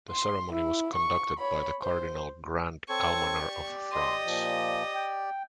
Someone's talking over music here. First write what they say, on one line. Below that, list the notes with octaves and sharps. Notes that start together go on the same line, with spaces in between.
The ceremony was conducted by the Cardinal Grand Almoner of France.
C6
E4
C#6
C#5 B5
C5
C4 A4 C#5 C#6
G4 D5
D#5 C6
A#2 F3
G5